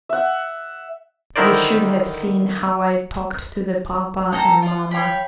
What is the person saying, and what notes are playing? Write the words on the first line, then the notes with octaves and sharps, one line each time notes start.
You should have seen how I talked to the papa and mamma.
E5 F#5
D3 D#3 E4 A#4 C5 D5
A#3 A4 G5 A#5
F4 F#5
C#5 F5 G5 B5